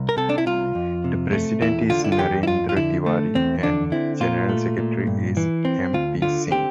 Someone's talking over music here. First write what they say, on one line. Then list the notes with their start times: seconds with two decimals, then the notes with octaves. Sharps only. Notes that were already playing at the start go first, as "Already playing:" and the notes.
The president is Narendra Tiwari and general secretary is M. P. Singh.
Already playing: C2
0.09 A#4
0.17 C3 A4
0.29 D4
0.38 E4
0.46 C2 F4
0.75 F2
1.04 C3
1.33 A3
1.61 E2 E4
1.90 D3 F4
2.04 E4
2.12 F4
2.19 E2 G4
2.43 E4
2.47 F2 F4
2.69 F4
2.77 D3 E4
3.06 A3
3.35 E2 C4
3.63 D3 D4
3.92 C4 E4
4.21 A#2 F4
4.49 A3
4.78 A#2
5.07 G2
5.37 E3
5.65 C4
5.93 D2 F4
6.22 D3 F4
6.51 C4 G4